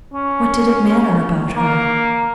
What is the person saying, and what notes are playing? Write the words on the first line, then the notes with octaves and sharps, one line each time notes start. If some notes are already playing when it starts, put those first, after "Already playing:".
What did it matter about her?
C#4
A#3